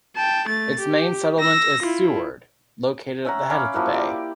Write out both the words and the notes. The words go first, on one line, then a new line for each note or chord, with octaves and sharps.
Its main settlement is Seward, located at the head of the bay.
G5 A5
A3 A6
G4
E6 A#6
E4 F4
C#4 E5 F#5 A#5
C#4 F5 B5 D6
F3 A#3 E4 F#4
A#3 G4 D5